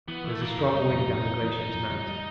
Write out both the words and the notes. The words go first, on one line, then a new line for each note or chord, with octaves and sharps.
There is a strong wind down the glacier to-night.
E3 B3
E3 A3
E3 A#3
F2 D#4
G3
F2
F2
E3
E3
E3
F2
G3
G3